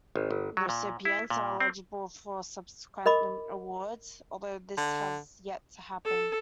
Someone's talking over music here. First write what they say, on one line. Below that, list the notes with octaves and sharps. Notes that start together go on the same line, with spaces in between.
Recipients are eligible for subsequent awards, although this has yet to happen.
G#1
G1
F#3
A#2
E4
A#2
C4
A#4 D#5 B5 D6
D3
A4